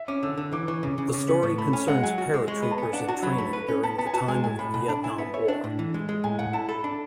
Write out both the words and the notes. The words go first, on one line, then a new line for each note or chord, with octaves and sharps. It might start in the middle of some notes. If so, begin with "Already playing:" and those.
The story concerns paratroopers in training during the time of the Vietnam war.
Already playing: E5
C#4 D6
D3 E6
D3 E6
E3 D6
E3 C#6
C#3 D6
C#3
C#6
C#3 D6
B3
A2 C#6
A3 B5
C#4 G#5
G#3 F#5
F#3 G#5
F#4
G#3
G#3 C#6
B3 B5
A5
B3 G#5
D4 F#5
F#4 A5
F#3 B5
C#6
A3 B5
B4
C#4
B3 A5
B3 A5
G#5
F#4 A5
G#3 G#5
A2 G#5
A2 B5
B2 B5
D4 A5
E4 G#5
B3 E5
C#5 E5
D4 E5
A2
E3
G#3
G#3
A2 G#5
A2 F#5
E4 A5
A4 B5
D4